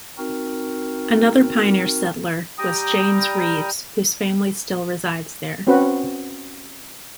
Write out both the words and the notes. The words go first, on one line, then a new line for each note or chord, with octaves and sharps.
Another pioneer settler was James Reaves, whose family still resides there.
C4 D#4 F#4 A#4
G3 G5 A#5 D#6
C4 C#4 F#4 B4